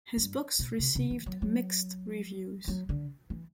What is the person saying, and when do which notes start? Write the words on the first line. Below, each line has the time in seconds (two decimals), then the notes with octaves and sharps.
His books received mixed reviews.
0.17 G2
0.59 B2
0.79 C3
0.95 C3
1.11 E3
1.26 F#3
1.42 F#3
2.68 F#3
2.89 D3
3.30 E3